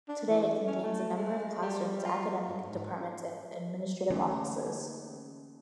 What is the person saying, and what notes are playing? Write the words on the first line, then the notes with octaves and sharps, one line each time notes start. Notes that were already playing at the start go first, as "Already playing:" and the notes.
Today, it contains a number of classrooms, academic departments, and administrative offices.
D4
E3
C#4
A3
G#3
G3
F4
G2
G#2
D3 E3 A3 A#3 C#4 D#4